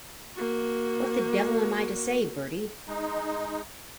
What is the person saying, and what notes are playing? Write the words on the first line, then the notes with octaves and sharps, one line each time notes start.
What the devil am I to say, Bertie?
A#3 F#4
G#3 D#4